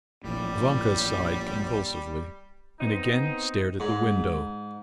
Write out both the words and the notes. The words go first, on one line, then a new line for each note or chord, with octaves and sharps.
Vanka sighed convulsively, and again stared at the window.
A#1 A2 G3
B3 C4 D#4
G#2